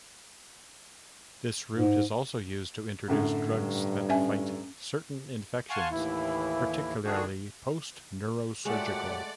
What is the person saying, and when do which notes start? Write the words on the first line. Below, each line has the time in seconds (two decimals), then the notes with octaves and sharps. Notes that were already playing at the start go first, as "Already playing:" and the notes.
This route is also used to introduce drugs that fight certain infections, particularly post-neurosurgical.
1.75 G#2
3.08 F#2 A2 D3
3.52 G2
4.09 C#4 E5 G#5
5.70 F5 F#5 G#5 A5 C6 C#6
5.91 D#2 A2 E3 E4
7.05 D3 D#3 A3 D4 F#4 G#4
8.65 A#2 F#3 G#3 A3 G4 D5 F#5